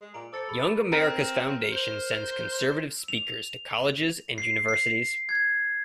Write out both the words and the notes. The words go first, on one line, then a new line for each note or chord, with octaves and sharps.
Young America's Foundation sends conservative speakers to colleges and universities.
G#3
A#2 A#5 D7 F#7
A4 C5 D6 A6 C#7
G#4 B5
C4 A#4
C5
F7
C7
C7
G#6